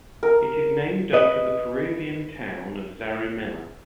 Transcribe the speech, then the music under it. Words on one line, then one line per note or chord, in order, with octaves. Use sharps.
It is named after the Peruvian town of Zarumilla.
A#4
B4 D#5